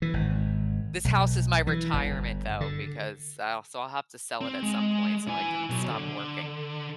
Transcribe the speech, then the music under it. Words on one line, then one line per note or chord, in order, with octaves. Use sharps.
this house is my retirement, though, because I'll so I'll have to sell it at some point so I can stop working,
E3
G#1
B1
E3
G1
D3
C4
G#3
E4 G#5
B2 F#3
D3